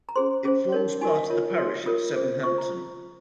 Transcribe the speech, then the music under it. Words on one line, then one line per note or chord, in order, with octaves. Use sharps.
It forms part of the parish of Sevenhampton.
A#5
C#4 G#4 C5 C6
C#4 G#4 C5
D#4 A#4 C#5
D#4 F#4 A#4 G#5
F5
F4 A#4 C#5
F#4 C#5
F4 A#4 C#5 D#6
C#4 G#4 C5
F4 C5 C#6
A#5